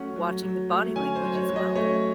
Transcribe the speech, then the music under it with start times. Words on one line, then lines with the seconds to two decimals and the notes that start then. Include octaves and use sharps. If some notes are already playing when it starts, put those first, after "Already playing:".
watching the body language as well.
Already playing: F#3 A3 C#4 F#5
0.16 F#3
0.43 F#3
0.69 A3
0.96 C#4 G#5
1.15 C5
1.23 F#3
1.36 C#5
1.49 F#3
1.56 D#5
1.75 A3 C#5